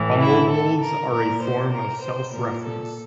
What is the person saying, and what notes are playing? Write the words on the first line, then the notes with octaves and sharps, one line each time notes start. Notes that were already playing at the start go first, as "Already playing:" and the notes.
Fumblerules are a form of self-reference.
Already playing: A2 E3
E4
A4
A#4
A#2 A#4
C5
A#4
C5
A#2 A#4
A4